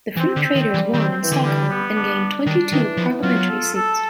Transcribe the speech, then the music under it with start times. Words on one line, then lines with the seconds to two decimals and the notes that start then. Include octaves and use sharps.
The Free Traders won in Stockholm and gained twenty-two parliamentary seats.
0.17 E3 C4
0.36 D3
0.42 C4
0.55 D#3
0.67 G3
0.74 E3
0.93 D#3 C4
1.20 E3
1.32 D3
1.45 G3
1.70 B3
1.96 D4
2.21 G3
2.46 D#3 D4
2.73 D#3 E3
2.97 F3 B3
3.23 F#3 F4
3.48 A4
3.74 A4